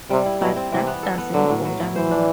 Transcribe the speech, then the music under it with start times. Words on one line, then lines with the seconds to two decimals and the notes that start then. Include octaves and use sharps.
But that doesn't bother me.
0.10 C3 G3
0.26 E4
0.41 B2 E4
0.56 C4
0.72 C3 E3
0.87 B3
1.03 A4
1.18 B3
1.34 D3 F#3
1.49 A2
1.65 F#3
1.80 E4
1.96 E3 C5
2.11 D4